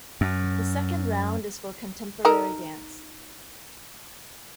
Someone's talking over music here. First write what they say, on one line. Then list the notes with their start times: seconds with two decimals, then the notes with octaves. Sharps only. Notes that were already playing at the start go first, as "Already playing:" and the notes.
The second round is for contemporary dance.
0.21 F#2
2.25 D#4 A4 A#4